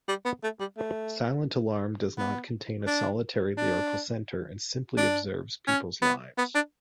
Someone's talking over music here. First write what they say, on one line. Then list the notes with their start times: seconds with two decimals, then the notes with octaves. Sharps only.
"Silent Alarm" does not contain a solitary lyrical centre and simply observes people's lives.
0.08 G3
0.25 B3
0.43 A3
0.60 G3
0.78 A3
2.18 B3
2.87 D4
3.57 D4
4.97 D4
5.67 C#4
6.02 B3
6.38 B3
6.55 D4